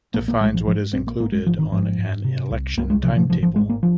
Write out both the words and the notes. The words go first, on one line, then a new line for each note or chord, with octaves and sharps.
Defines what is included on an Election Timetable.
A#1 A#3
A#3
A#1 G#3
F3
G#2 F3
A#1 C4
A#3
G#1 A#3
G#3
G#1 F3
D#3
G#2 F3
G#2
C3
C2
C2 A#3
G#3
C3 F3
F3
G#1 F3
F3
G#2 G#3
A#3
F3